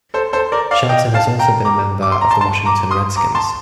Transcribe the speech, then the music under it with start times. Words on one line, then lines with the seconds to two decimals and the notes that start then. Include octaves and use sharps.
Shelton has also been a member of the Washington Redskins.
0.14 A4 C5
0.33 A4 C5
0.52 A#4 D5
0.71 D5 F5
0.89 D#5 G5
1.14 F5 A5
1.39 G5 A#5
1.65 A#5 D6
2.03 D6
2.12 C6
2.21 A#5
2.31 A5 C6
2.41 A5 C6
2.65 A#5 D6
2.91 C6 D#6
3.16 A#5 D6
3.35 A5 C6